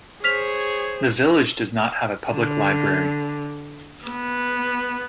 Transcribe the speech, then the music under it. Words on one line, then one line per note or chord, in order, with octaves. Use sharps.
The village does not have a public library.
G#4 C5 C#5 F6 B6 F7
D3
B3